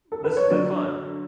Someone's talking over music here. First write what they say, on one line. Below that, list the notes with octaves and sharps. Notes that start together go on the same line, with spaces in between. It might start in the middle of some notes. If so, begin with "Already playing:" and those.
This has been fun.
A4
B4
C#5
D3 F#3 D5